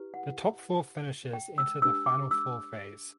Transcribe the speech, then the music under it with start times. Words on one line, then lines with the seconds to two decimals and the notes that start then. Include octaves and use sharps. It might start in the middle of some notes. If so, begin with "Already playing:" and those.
The top four finishers enter the Final Four phase.
Already playing: E4 G4 B4
0.14 F#5
1.33 G5
1.58 E6
1.82 D4 G4 B4 E6
2.06 D6
2.31 E6